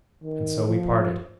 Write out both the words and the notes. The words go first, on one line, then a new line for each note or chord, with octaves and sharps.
And so we parted.
D#3
F3